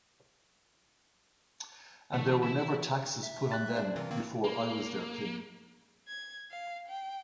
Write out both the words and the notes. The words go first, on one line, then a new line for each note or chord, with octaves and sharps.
And there were never taxes put on them before I was their King.
D3 E3 A3
E4 E5
E5
F#6 A6
D4 G#4 C5
C3 E3 F4 A#4
D#3 A#3 C4
A#3
G#6
F5
G5